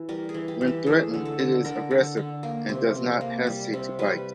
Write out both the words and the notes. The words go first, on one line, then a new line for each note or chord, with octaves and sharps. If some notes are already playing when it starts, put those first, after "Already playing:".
When threatened, it is aggressive and does not hesitate to bite.
Already playing: E3
G3 A#4
G#4
E3
G4
E3
G4
A3 G#4
D3
A4
D3
D3 A#4
D3
D3
A#3
C3
C3
A#3
G3
C3
G3 B4